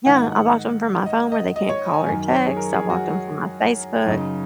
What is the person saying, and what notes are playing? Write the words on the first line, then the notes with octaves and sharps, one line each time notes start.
Yeah, I blocked ‘em from my phone where they can't call or text, I blocked ‘em from my Facebook.
G#2 D#3 F#5
D#5
D#5
D#5
C#5
G#5
F#2 D#3 G#5
C#5
G#4
A#4
G#4
F#4
F#2 C#3 D#4